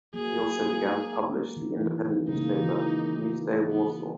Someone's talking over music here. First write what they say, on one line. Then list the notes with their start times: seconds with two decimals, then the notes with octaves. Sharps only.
He also began to publish the independent newspaper "News Day Warsaw".
0.14 F#3 A#3 G#4
0.38 F#3 A#3
0.61 F#3 A#3
0.86 G#3
1.57 D#3
1.81 E3
2.05 D#3
2.28 C#3 D#4
2.36 A#3
2.43 G#3
2.50 F#3
2.57 E3
2.64 D#3
3.71 B3